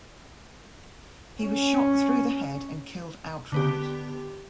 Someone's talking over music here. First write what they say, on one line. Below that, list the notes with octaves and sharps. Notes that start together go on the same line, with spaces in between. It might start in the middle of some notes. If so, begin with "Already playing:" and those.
He was shot through the head and killed outright.
C#4
D3 B3 G4